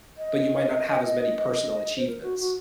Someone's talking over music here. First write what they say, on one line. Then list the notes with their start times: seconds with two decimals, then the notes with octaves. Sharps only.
but you might not have as many personal achievements,
0.18 D#5
1.97 C5
2.07 A#4
2.22 F#4
2.39 F#4